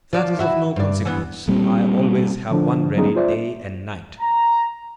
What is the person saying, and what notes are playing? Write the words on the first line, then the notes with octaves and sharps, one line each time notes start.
"That is of no consequence; I always have one ready, day and night."
F3 D5
E4 F#4 E5
G2 D5
E3 B3
A#2 G3 C4
D3 F3 D4
F#3 G3 B3 C#4 D#4 G#4
F4 C5 D5 E5
A#5